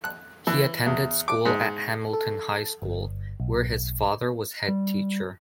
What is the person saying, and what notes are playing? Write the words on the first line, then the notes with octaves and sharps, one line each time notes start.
He attended school at Hamilton High School, where his father was head teacher.
F#6
E3
E2
D6
G#2
A4
G1
B1
G3